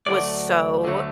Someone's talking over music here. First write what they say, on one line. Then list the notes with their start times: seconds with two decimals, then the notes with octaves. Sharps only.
was so
0.06 D2 D3 F#3 A3 D5
0.84 D2 D3 F#3 A3